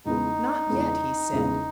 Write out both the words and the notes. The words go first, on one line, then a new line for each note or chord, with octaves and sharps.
"Not yet," he said.
E2 C#3 G#3 B3 D#4
E2 C#3 G#3 B3
E2 C#3 G#3 B3